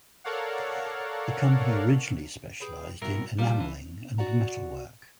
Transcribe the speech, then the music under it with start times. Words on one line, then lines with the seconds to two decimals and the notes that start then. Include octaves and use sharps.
The company originally specialised in enamelling and metalwork.
0.24 A4 A#4 C#5 D5 F5 F#5
2.60 G#4 B4 G5
3.02 G2 B2 E4 F#4 A#4
3.38 G3 D4 F4 A#4
3.60 E3
4.18 F#4 D5 F#5 A#5